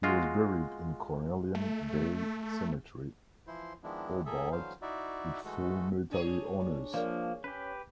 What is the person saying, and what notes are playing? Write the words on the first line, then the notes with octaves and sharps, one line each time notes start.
He was buried in Cornelian Bay Cemetery, Hobart, with full military honours.
G#3 F4 F#4
A3
E3 F3 E4 C5 C6
D#3 F3 G#3 B3 D4 E4
A2 A#3 G#4 A4 E5
D3 E3 F#3 C5 F5
D#4 E4 F#4 D5 E5
E3 G#3 A3 F#4 A4
G3 D4 G#4 C#5
F3 A#3 A#4 D5 F5
C#4 G4 B4